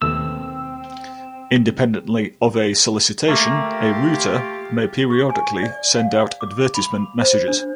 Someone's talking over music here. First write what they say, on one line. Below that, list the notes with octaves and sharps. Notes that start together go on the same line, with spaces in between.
Independently of a solicitation, a router may periodically send out advertisement messages.
D#2 B2 A3 C4 E6
A3 A#3 F4 G4
C#6
G#5
D5
F5
D6
B5
C5
D4